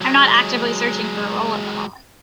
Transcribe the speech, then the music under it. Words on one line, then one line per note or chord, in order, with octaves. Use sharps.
I am not actively searching for a role at the moment.
F#3 G#3